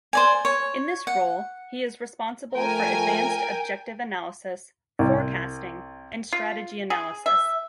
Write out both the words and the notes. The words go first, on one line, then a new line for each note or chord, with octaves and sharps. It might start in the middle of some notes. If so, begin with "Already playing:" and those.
In this role, he is responsible for advanced objective analysis, forecasting, and strategy analysis.
C5 D5 G#5
C#5
F#5
F3 A3 A#4 G5 G#5
C2
F4
G#4
E5